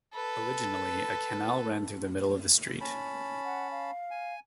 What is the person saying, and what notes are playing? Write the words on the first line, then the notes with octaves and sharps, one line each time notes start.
Originally, a canal ran through the middle of the street.
A4 B4
C#4 A5 B5
F#5
F5
G#5